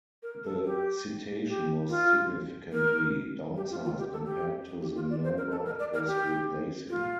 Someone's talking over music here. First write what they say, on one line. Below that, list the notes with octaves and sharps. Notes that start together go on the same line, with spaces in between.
The Citation was significantly downsized compared to the Nova it was replacing.
A#4
A4
G4
G4
F4
A#4
G4
F4
F4
G4
A4
G4
G4
F4
D5
C5
A#4
A4
A#4
D5
A#4
G4
F4